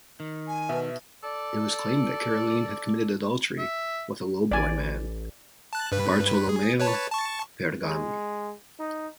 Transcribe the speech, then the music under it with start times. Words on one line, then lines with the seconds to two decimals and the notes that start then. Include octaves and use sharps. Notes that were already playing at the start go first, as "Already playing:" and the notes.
It was claimed that Caroline had committed adultery with a low-born man: Bartolomeo Pergami.
0.20 D#3
0.47 G#5
0.69 B2 D#4 B4 E5
1.23 A4 D5
3.58 E5
4.51 A1 D5 G#5
5.73 A5 F#6
5.92 G2 B4
6.49 G#4
6.80 B4 C#5 A5
7.12 A5 C#6
7.83 G#3
8.79 D#4